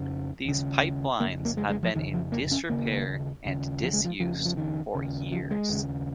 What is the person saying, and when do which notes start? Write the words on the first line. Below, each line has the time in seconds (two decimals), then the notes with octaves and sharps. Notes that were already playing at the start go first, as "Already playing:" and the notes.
These pipelines have been in disrepair and disuse for years.
Already playing: F2 C#3
0.45 D#2 C#3
1.20 C#3 A#3
1.24 F2
1.45 A#3
1.57 G#3
1.70 G#3
1.83 F3
1.94 F2 D#3
1.98 C#3
2.14 F3
2.32 A#3
2.51 C#4
2.70 D#2 C#3 A#3
3.45 D#2 C#3
3.83 F3
3.93 G#3
4.04 F3
4.20 F2 C#3 F3
4.45 F3
4.57 D#3
4.95 D#2 C#3
5.32 F3
5.51 G#3
5.69 D#2 C#3